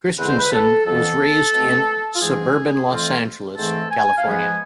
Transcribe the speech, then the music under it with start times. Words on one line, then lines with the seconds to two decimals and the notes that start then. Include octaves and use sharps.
Christensen was raised in suburban Los Angeles, California.
0.18 E2 D3 G#3 C4 B4
0.28 C5
0.39 B4
0.53 A4
0.86 F2 E3 B3 A4
1.54 B2 A3 C4
2.15 F4
2.21 G#2 E3 G#3 C4 G#4
2.89 F2 E3 A3 C4 F4
3.57 G#2 E3 A3 C4 A4
3.91 G#5
4.18 F5
4.24 G#2 F3 G#3 B3 G#5